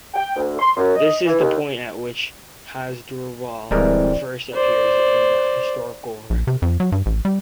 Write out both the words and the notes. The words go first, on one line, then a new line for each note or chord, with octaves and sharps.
This is the point at which Hasdrubal first appears in the historical record.
G5
D2
C6
F#2
D#5
E3
D#2
D1 E3 G3 G#3 C4 A#4 D5
C5 D5
A#1
C3
F2
F#3
G2
A1
G3